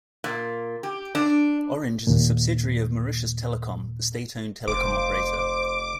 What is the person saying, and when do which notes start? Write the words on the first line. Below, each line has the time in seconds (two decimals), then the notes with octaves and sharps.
Orange is a subsidiary of Mauritius Telecom, the state-owned telecom operator.
0.24 A#2
0.83 G4
1.15 D4
2.07 D#2 A#2
4.68 F1 C5 D6